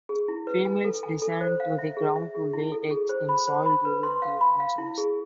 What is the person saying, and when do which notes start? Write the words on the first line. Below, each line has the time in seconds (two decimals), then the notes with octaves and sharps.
Females descend to the ground to lay eggs in soil during the monsoons.
0.09 G#4
0.28 E4
0.47 B4
0.65 G#5
0.85 A4
1.03 G#5
1.22 A4
1.41 C5
1.60 F5
1.78 E5
1.97 G#4
2.16 E5
2.35 G#4
2.53 E4
2.72 A4
2.91 G#4
3.09 C5
3.29 B5
3.48 C5
3.66 B5
3.85 B4
4.03 C6
4.22 F5
4.41 B5
4.60 F5
4.78 E4
4.98 G#4